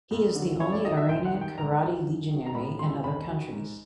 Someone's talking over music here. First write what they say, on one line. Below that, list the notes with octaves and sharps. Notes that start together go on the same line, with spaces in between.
He is the only Iranian Karate legionary in other countries.
F2
D3 F#3
F#2 C#5
D5
D#3 F#3 D#5
E5
D2 G5
F#5
C3 D#3
G5
C#2 A#5
B2 F#3
F#2
D#3 F#3
A#5
A2 B5
E3 G3 C6
D#2 B5
D#3 F#3
G#2